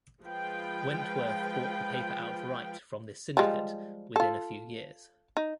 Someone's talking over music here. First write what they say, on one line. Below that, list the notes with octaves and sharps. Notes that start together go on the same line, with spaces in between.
Wentworth bought the paper outright from this syndicate within a few years.
F3 G#3 F4 B4 G5
F3 G3 G#3
F4 A4
D#4